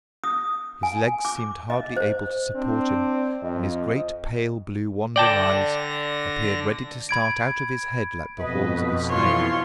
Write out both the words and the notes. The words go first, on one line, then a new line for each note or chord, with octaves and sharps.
His legs seemed hardly able to support him, and his great pale blue wandering eyes appeared ready to start out of his head like the horns of a snail.
D#6
G#5
D6
D#5
C5
C4 D4
F2 D#5
D3 D5 G5 A5 A#6
B5 G#6 D7
F2 B2 B4 D#5
E3 F3 F4 C#5 C6